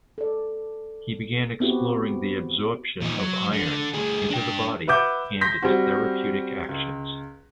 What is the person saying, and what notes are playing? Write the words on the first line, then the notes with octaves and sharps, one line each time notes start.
He began exploring the absorption of iron into the body and its therapeutic actions.
A4 D5
B3 C4 E4 F#4 G4 B4
A#2 D#4
F#3
D3
D2 G#4
D4 G5
B4 E5 F#5 D6 G6
C6 G6 A#6 B6
G3 C4 F#4
C#2